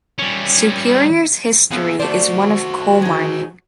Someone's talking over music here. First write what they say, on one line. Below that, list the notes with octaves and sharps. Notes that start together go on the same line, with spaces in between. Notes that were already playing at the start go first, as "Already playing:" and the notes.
Superior's history is one of coal mining.
G3 C#4
F3 B3 G#4 E5
A3 F#4 C5 D5
D#4 G#4